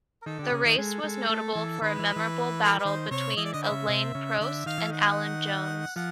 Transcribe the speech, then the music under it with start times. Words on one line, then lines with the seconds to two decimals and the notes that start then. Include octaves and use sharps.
The race was notable for a memorable battle between Alain Prost and Alan Jones.
0.22 A#4
0.26 D#3 A4
0.39 D3 G4
0.52 C#3 G#4
0.65 D#3 G#4
0.78 G#3 A4
1.04 G#3
1.30 A3
1.55 E3
1.82 D#3 B4
1.99 E3
2.16 E3
2.64 A4
2.71 A#4
2.79 B4
2.85 D#3 C5
3.11 C3 C#5
3.36 E3 D#5
3.45 D5
3.53 D3 D#5
3.63 B4 C#5 E5
3.71 C#3
3.89 C3
4.15 C#3
4.40 D3 E5
4.66 D#3 F5
4.78 E3
4.90 D#3 F#5
5.96 F3 F#5